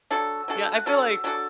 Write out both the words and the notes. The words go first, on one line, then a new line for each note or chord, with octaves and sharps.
Yeah, I feel like
F#3 D4 F#4 A4 E6
F#3 D4 F#4 A4
F#6
F#3 D4 F#4 A4 E6
F#3 D4 F#4 A4